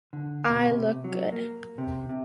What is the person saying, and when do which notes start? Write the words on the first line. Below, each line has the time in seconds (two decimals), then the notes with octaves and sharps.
I look good.
0.13 D3
0.49 B2
0.71 C3
1.04 F#3
1.32 A#3
1.78 C3
2.09 C3